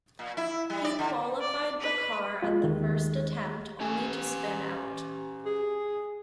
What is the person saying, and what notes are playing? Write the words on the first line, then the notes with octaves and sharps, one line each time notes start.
He qualified the car at the first attempt, only to spin out.
A#2
E4
G3
D5
D3
D5
B4
G3 G#3 F4
D#2 D#3
C#4 G4 G#5
G#4